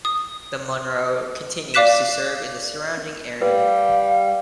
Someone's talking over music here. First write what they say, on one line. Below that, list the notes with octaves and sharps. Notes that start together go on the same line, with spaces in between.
The "Munro" continues to serve in the surrounding area.
D#6
D5 F5 D6 F#6 B6 E7
G3 B4 F5